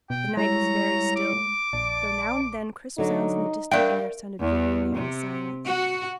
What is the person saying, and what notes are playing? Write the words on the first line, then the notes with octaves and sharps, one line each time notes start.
The night was very still, though now and then crisp sounds in the distant air sounded very near in the silence.
B2 G5
G3 G#3 E4 C#5 A#5
D6
A#1 D5 A5
D3 F#3 D#4
G2 A#4 D5 E5 F5 G5
E2
C3
F#4